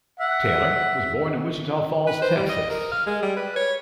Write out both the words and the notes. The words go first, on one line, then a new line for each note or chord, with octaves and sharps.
Taylor was born in Wichita Falls, Texas.
E5 F#5
B4
C5
G3
D#5
A#4
F5
G#3
G3
B4
C#5